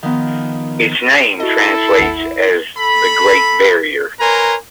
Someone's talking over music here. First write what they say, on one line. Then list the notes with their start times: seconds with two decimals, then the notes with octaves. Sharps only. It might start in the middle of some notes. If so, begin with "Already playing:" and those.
Its name translates as "the Great Barrier".
0.03 D#3 F3 B3 D#4
1.40 E4 F#4 A4 D#5
1.99 G#1 D#2 F#5
2.77 A4 B5
4.20 A#4 B4 C#5 G#5 A#5 C6